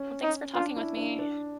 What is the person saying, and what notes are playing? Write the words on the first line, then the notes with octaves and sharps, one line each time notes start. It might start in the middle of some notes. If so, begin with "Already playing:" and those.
Well, thanks for talking with me.
Already playing: C#4
D#4
D4 F4
E4
D4
D4